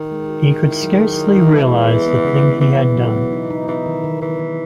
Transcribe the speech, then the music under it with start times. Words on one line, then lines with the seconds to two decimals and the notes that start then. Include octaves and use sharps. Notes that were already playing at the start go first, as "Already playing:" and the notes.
He could scarcely realise the thing he had done.
Already playing: D#3
0.11 G#3
0.29 F#4
0.46 G#4
0.65 E4
0.83 F#3
1.01 G#4
1.18 E4
1.36 E4
1.54 E3 G#3
1.72 G#3
1.89 B3
2.07 B3
2.25 C#3
2.43 B3
2.61 E3 B3
2.79 B3
2.97 F#3
3.14 B2
3.32 D#4
3.50 D#4
3.68 E3 D#4
3.86 D#3
4.04 D#3
4.21 D#3 E3
4.39 D#3